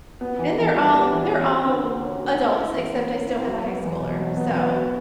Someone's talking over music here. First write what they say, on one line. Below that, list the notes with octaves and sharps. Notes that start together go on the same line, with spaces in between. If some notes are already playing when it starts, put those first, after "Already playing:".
and they're all they're all adults, except I still have a high schooler, so
B3
E3
E3
G3
B3
E3
C#4
F#4
D3
A#3
C#4
F#4
C#4
E4
E3
A#3
C#4
E4
F#3
B3
E2
B2
F#3
B3
B3
F#4